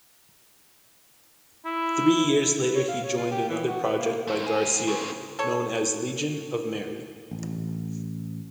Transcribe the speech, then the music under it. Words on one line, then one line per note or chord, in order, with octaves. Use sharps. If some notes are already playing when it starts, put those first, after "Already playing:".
Three years later he joined another project by Garcia known as Legion of Mary.
E4
B4
C#5
F5
C#5
F4
G4
E3
F#4
B4
A#3
F3 A3
C#2 G#4
C#3 C4
A4 C#5
A1